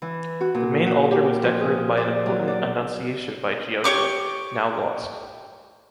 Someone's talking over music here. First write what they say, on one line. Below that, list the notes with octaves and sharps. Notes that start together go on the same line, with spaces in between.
The main altar was decorated by an important “Annunciation” by Giotto, now lost.
E3
F#4
A#2
F#4
G4
F3
G#4
D5
F#3
D5
G4 C#5 C#6 D6